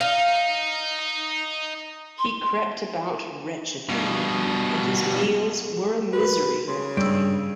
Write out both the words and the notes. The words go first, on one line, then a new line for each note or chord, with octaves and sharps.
He crept about wretchedly, and his meals were a misery that day.
D#4 F5
C6
G2 B2
F#4 A#4 B4 B5
C#3 C6
G2 E6 D7